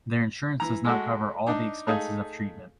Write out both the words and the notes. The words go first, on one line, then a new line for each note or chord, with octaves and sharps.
Their insurance does not cover all the expenses of treatment.
E3 A#5
G#3 A3 F#4
D4 D#4 D6
A3 D#4 G#4 F5